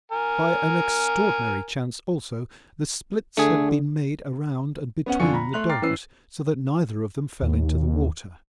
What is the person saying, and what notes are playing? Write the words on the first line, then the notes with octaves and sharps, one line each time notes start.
By an extraordinary chance also, the splits had been made around and between the dogs, so that neither of them fell into the water.
A#4 G#5
D3 A3 G#4
B3 C#4 F#5
F2 D3 F4 G#5 C#6 C#7
A#5 B5
A3 C6 F#6 F7
G5 A#5 D6 F6 A6 C7
E3 C#4 B4 E6 C7
D#2